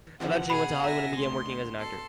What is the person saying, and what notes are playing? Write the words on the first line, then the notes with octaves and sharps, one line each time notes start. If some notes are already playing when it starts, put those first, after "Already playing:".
Eventually he went to Hollywood and began working as an actor.
C3 E3 F3 F#5
B2 G#4 B5
E5 G#5 A#5 A#6
D2 C6
A4 C6